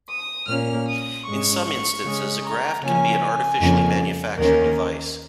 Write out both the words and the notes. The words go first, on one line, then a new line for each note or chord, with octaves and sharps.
In some instances a graft can be an artificially manufactured device.
D#6
A#2 A#3 C#4 F6
D#6
G#2 G#3 C#4 C#6
C#3 G#3 C#4
A#5
C#3 F3 A#3 C#4 G#5
G#5
F2 C#3 A#3 C#4
D#2 D#3 A#3 C#4 A#4